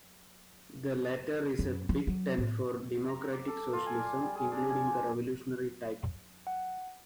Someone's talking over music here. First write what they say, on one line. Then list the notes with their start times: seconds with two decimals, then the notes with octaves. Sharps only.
The latter is a big tent for Democratic Socialism, including the Revolutionary type.
1.59 F#2
1.89 F3
2.07 F#3
2.38 A2
3.08 A#5
3.32 D6
3.48 A4
3.73 F4
3.86 G#5
3.99 D5
4.22 G3
4.35 G#4
4.51 D4
4.70 G#5
4.87 F3
6.47 F#5